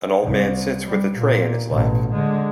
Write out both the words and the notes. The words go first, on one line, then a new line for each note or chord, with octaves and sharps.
An old man sits with a tray in his lap.
C2
G3
A#2
A1 B2
D3 G#3